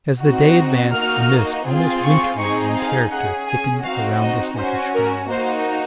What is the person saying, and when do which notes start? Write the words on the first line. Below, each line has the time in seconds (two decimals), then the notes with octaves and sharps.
As the day advanced a mist almost wintry in character thickened around us like a shroud.
0.21 C4 D#4 F#4
0.94 A#3 D#4 F#4 F6
1.66 C4 F4 G#4
2.03 C#6
2.39 C4 D#4 G#4 C#6
2.76 F5
3.11 C#4 G#4 F#5
3.48 G#5
3.85 C4 D#4 F#4 F5
4.21 D#5
4.57 C#4 F#4 C5
4.94 A#4
5.30 A#3 D#4 F#4 C5